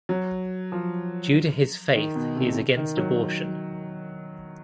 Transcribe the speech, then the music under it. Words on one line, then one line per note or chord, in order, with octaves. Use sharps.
Due to his faith he is against abortion.
F#3
F3
D#3
B2
C3
D#3
F#3